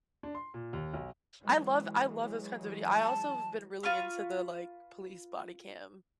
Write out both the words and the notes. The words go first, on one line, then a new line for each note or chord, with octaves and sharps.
I love I love those kinds of videos. I also have been really into the, like, police body cam
D4
C6
A#2
D#2
B1
E3 F#3 G#3
A5
F4 B4 C#6 F6